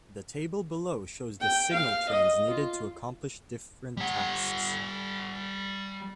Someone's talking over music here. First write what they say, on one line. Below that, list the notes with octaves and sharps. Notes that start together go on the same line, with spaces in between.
The table below shows the signal-trains needed to accomplish different tasks.
G5
F5
D#5
F4
G3 F#5